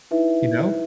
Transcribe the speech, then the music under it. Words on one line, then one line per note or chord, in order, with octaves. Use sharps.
You know?
D#4 E4 B4 E5